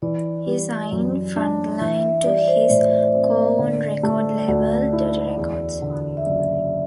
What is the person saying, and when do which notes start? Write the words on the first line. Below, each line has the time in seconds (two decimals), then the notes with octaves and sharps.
He signed Frontline to his co-owned record label, Dirty Records.
0.02 E3 D5
0.47 G3
0.92 F#2
1.36 D4
1.81 E3 E5
2.03 E5
2.25 G3 D5
2.38 D5
2.48 C5
2.70 A2 D5
3.15 C4
3.59 D3
4.03 A3
4.48 D2 D5
4.93 E4
5.37 E2
5.82 D3
6.17 E5
6.26 F#1 D5